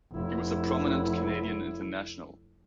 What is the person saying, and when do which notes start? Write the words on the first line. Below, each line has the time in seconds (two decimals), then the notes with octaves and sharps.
He was a prominent Canadian international.
0.12 F1 E4